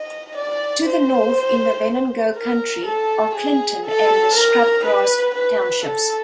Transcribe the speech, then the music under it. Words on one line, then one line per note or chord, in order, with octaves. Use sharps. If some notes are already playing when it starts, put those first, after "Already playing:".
To the north, in Venango County, are Clinton and Scrubgrass townships.
Already playing: D#5
D5
C5
A#4
A4
G#4
A4
A#4
B4
B4
A4